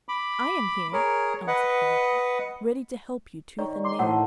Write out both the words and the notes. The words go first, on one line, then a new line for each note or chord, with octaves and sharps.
"I am here," answered Corvetto, "ready to help you tooth and nail."
B5 D6
G#4 A#4 C#5
B4 D#5 F#5
D#3 C#5 D5
C6 D6
A2 A4 C5 D#5 F#5